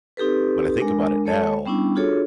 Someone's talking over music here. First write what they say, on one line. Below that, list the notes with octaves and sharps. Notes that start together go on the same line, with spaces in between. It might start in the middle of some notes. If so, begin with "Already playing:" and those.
when I think about it now,
C4 D#4 G4 A4 B4
G#3 D4 A#4
G#3 A4 C#5 A5
G3 B3 C#4 D4 E4
D4 F4 F#4 G#4 A4 C#5